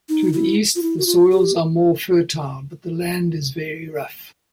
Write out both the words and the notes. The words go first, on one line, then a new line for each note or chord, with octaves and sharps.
To the east, the soils are more fertile, but the land is very rough.
D#4
E4
F4
E4
F#4
F4
G4